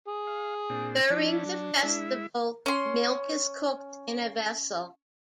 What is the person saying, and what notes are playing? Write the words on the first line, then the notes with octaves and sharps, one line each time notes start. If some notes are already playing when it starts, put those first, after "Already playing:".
During the festival, milk is cooked in a vessel.
G#4
F5
A#2 C4 D4
F3 C#4 D4 E4
F#3
G#3 E4 E5
C#4 C6